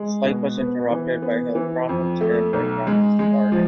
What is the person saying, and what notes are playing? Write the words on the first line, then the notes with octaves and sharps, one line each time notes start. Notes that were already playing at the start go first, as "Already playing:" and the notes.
His life was interrupted by health problems, and by travels to art exhibitions.
Already playing: G#3
B2
B3
E3
B3
E3
F2
A3
B1
G#3
G#3
F3